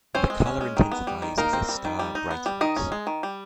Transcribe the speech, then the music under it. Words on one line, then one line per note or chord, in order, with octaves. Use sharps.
The color intensifies as the star brightens.
C4 C#4 C5
G#3
C#4
G#3
D#3
B3
G3
D#3
A#3 D#4 A#4
C4
G3
D#3
G3
D#4
B3
G3
D#3 D#4 D#5
C#4
G#3
D#3
G3